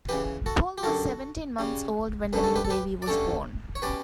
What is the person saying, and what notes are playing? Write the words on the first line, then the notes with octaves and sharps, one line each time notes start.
Paul was seventeen months old when the new baby was born.
C#3 E3 B3 G4 B4
F#4 A4
G4
F#2 D3 G3 F#4 A4
C#3 G3 C#4
F#2 D3 A3 C#4 B4
A4
G4 B4
A4
G4 B4
D5
G2 D3 A3 C#4 A4 C#5
C#5
B2 G3 C#4 B4 D5